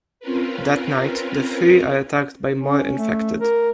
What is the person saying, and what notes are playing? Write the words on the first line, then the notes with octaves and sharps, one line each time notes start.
That night, the three are attacked by more infected.
C4 C#4 F4 A#4 B4
C#4
A3
A#4